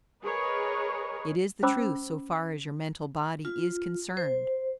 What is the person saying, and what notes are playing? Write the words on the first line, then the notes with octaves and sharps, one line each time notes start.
It is the truth so far as your mental body is concerned.
G#4 A#4 B4 C#5 D#5
C#4 C5 B5 D6 E6
F4
C5